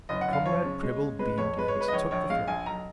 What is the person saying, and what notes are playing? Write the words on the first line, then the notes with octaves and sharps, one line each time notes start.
Comrade Prebble beamed, and took the floor.
F#1 D#5
F#5
F#1
F5
F3 C#5
C#3
G#3
C#3
G#3 B4
F2 C#5
G#3 B4
C#5
G#3
B4
D#5
A#1 C#5
A#1 C#5
G#3 F5
A#1 G#5
B1 A#5